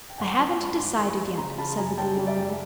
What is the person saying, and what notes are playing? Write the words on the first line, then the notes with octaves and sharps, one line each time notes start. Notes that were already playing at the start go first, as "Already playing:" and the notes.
"I haven't decided yet," said the Boolooroo.
G5
G#1 F#5 G#5
F3 F#5 G#5
G5 A5
G#2 A5 B5
G#1 C6 D6
G#1
B5 C#6
G#2
C#3 A#5 C6
C#3 A5 B5
F#2 G#5 A#5
F#3 G5 A5
C#3
D5 E5
F#2